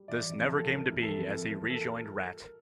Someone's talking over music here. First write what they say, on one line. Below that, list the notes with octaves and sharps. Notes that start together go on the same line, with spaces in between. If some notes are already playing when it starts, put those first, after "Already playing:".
This never came to be, as he rejoined Ratt.
Already playing: G3
E3 D5
F2
C3 A4
G3
A#4
E3
A4
F2
E3 A4
A#3 A#4
G3 A4
A#4